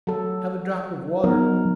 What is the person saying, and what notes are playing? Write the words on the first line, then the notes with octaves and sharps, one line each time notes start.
Have a drop of water!
F#3 A4
F#3 B3 D#4 A#4